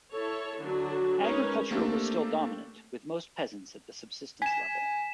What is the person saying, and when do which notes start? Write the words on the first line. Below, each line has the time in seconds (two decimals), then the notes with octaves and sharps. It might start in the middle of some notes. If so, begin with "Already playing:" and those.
Agriculture was still dominant, with most peasants at the subsistence level.
0.11 E4 A4 C#5
0.61 D3 F#3 D4 F#4
1.20 G#3 C#4 D#4 A#4 B4 C#5
1.71 A3 A#3 C4 D4 G4 A4
4.42 G#5 B6 E7